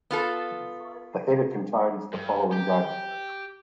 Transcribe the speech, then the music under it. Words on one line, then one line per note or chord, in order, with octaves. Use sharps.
The header contains the following data.
B3 F4 A4
G2
G4